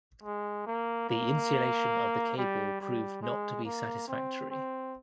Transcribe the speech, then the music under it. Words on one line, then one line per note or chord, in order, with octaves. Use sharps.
The insulation of the cable proved not to be satisfactory.
G#3
A#3
A#3
G3
G3
G#3
A#3
C4
C4